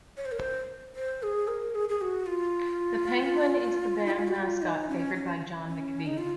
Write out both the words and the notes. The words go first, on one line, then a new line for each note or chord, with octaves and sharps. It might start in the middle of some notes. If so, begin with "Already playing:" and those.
The penguin is the band mascot favoured by John McVie.
C#5
C5
A#4
C5
C5
G#4
A#4
G#4
G#4
F#4
F4
D#4
F4
F#4
F4
D#4
C#4
C#4
C#4
D#4
F4